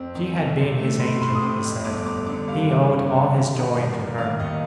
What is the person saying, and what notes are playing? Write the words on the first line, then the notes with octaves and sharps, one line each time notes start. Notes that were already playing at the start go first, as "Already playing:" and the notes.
She had been his angel, he said; he owed all his joy to her.
Already playing: F2 C4
D#3
G1
C3
A3
A2 C6
A2 C6
D#6
C4 D6
F2
G1 D6
G1 D6
D3 D6
G2 F5
G3
G1
D3
D#3
D#4
G2
A#3
D#3 F5
D#2 D#5